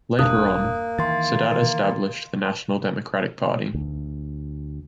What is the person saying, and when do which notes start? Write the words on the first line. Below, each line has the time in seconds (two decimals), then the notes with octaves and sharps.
Later on Sadat established the National Democratic party.
0.19 E1 G2 A#3 D4 D#6 F#6
0.99 D#3 E3 C6 A6
3.75 D2